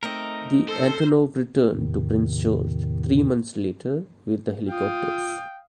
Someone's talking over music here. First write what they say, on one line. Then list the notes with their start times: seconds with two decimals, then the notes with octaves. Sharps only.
The Antonov returned to Prince George three months later with the helicopters.
0.03 A3 C4 D#4 A#4 D#5
0.68 A4 C5
1.68 E2 A2 C3 D#3
4.70 F4 F5 G5 D#6